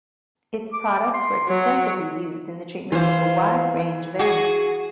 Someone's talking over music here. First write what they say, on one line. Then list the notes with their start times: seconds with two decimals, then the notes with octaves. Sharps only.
Its products were extensively used in the treatments of a wide range of ailments.
0.73 D6
1.14 C6
1.49 F#3 C#5
2.92 E3 F4 C5
4.19 F#4 G#4